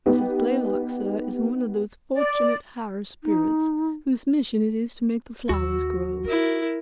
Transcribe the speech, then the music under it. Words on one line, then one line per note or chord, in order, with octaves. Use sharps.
Mrs. Blaylock, sir, is one of those fortunate higher spirits whose mission it is to make the flowers grow.
B3 D#4 G4
D5
D#4
D#2 E3 F#4 E6
D#4 E4 A#4